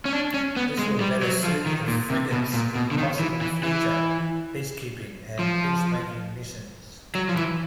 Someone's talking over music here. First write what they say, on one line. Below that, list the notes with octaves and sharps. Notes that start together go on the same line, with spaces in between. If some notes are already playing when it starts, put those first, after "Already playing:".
This will better suit the frigates in possible future peacekeeping and peacemaking missions.
C#4
D4
C#4
B3
G#3
G3
F#3
F3
D#3
A#2
C3
B2
A#2
B2
D3
D#3
E3
E3
E3
F3
F#3
F3
E3